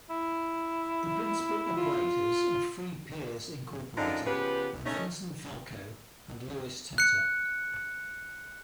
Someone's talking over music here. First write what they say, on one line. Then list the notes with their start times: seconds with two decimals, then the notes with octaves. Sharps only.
The principal operators of Free Peers, Incorporated were Vincent Falco and Louis Tatta.
0.10 E4
1.77 F4
3.97 F#2 D3 F3 C4 D4 D#4
4.26 C#3 F3 B3 G4 B4
4.86 A3 C#4 D#4
6.98 F#6 C#7